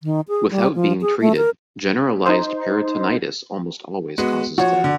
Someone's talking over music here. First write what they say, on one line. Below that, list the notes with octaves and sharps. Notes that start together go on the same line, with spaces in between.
Without being treated, generalised peritonitis almost always causes death.
D#3
G#4
G3
F3
G#4
A3
A#4
D#4 C5
G#3 B3 F#4
F3 F#4 C#5
D3